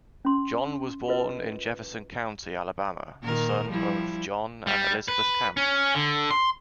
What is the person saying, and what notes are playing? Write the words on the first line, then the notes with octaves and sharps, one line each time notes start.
John was born in Jefferson County, Alabama, the son of John and Elizabeth Camp.
C#4 C6
F4 A#4 B4 D#5
A#2 D#3 A#4
F3 G3 E4
G3
B4
C#4
D3
C6